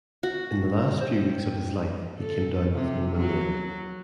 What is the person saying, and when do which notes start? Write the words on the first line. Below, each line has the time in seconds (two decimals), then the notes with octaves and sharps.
In the last few weeks of his life, he came down with pneumonia.
0.23 F#4
1.01 G4 C5
2.19 A4
2.74 C3
3.17 F#3